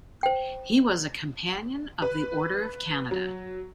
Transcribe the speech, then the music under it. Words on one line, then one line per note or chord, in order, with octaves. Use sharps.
He was a Companion of the Order of Canada.
C5 G5
B4
F#3